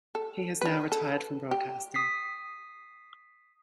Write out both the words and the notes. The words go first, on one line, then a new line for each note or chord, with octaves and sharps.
He has now retired from broadcasting.
A4
D4 B4
A4
G4
D#6 B6 C7